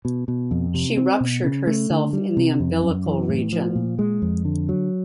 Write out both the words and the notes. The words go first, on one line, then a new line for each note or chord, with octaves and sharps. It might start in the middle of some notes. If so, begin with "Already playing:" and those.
She ruptured herself in the umbilical region.
B2
B2
F2
C3
C4
B2
C#3
A3
D3
G3
C3
F2
F#2
E3
A2
F3
A#2
G#3
F2
D3
F#3